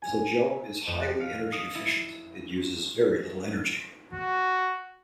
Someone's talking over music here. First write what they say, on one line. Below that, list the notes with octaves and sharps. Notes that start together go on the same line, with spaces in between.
The flagellum is highly energy efficient and uses very little energy.
G#5
B6
F2
F#6
F5
D#6
E4
F#4